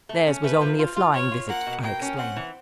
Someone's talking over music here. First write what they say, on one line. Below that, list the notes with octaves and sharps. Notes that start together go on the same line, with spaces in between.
"Theirs was only a flying visit," I explained.
A3
C#4
A3 B4
F3
F4
F4
F4 C#5
F4
A#3 F#5
B2
A#3 G5
C#4
C4 F#5
E3